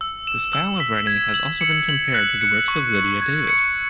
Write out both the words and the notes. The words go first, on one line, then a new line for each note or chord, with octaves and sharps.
The style of writing has also been compared to the works of Lydia Davis.
E6
E7
E6
B6
G#6
F#7
C#7
F#7
F#6
C#7
C#6
C#7
G#6
C#7